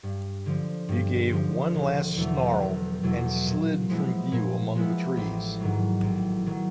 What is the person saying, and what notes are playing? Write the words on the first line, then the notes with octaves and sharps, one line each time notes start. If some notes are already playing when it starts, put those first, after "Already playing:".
He gave one last snarl and slid from view among the trees.
G2
D3 F3
G2
D3 F3
E1
E2 B2 F#3 A3
E1
E2 B2 F#3 A3
A#2
F3 G#3 B3 E4
A#2
F3 G#3 B3 E4
A1
G#2 D#3 F#3
A1
D#3 F#3